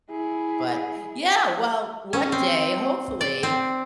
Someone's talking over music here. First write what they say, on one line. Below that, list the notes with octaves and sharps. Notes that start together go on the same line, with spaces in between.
but Yeah, well, one day, hopefully,
E4 G#4
C#4
C4
D5
C4